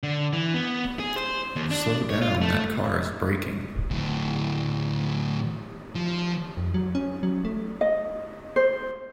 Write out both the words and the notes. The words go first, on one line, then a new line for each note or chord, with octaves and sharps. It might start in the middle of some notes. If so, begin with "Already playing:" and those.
Slow down, that car is braking!
D3
E3
B3
G#4
C5
D#2
D4
C#5
F4
A3
D2 A2
F3
F2
F#3
C#4
F#3
A3
D#5
C5